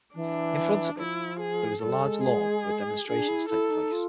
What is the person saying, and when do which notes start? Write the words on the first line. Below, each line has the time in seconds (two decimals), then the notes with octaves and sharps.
In front of it there is a large lawn where demonstrations take place.
0.15 E3 D4
0.99 F3 E4
1.40 G#4
1.82 G3 A4
2.03 G#3
2.25 G#4
3.08 D4 G#4
3.28 E4
3.50 E4 A4
3.70 D#4
3.92 F4